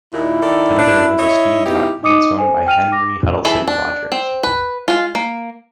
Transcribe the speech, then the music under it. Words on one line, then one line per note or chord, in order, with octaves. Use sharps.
Another was a steam yacht once owned by Henry Huttleston Rogers.
D#2 A#2 E4
D#3 A4 D5
D4
C#5 D#5 E5
B2 D#4 E4 G4
D#4 D#5 D6 D#6 C#7 D#7
A4 C5 G#5
G5 F6 D#7 F7
D6 A#6
E3 G#4 A4 E5
D4
C4
B4
G#3 F4
A#3